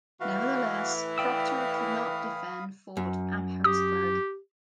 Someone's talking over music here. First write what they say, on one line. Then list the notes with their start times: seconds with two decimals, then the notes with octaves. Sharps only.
Nevertheless, Procter could not defend Fort Amherstburg.
0.20 A2 E3 F#4 F5
1.18 D5 F5 G5 B5 D#6 E6
2.97 F#2
3.64 G4 D#6